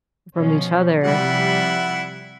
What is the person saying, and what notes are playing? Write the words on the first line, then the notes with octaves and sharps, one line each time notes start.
from each other
B2 F3 C#4
C3 F3 G3 E4 F#5